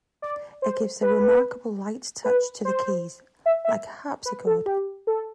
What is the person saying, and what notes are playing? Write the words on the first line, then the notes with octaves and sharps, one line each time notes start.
It gives a remarkable light touch to the keys - like a harpsichord.
D5
C5
B4
B4
C5
E5
E5
B4
A4
G4
A4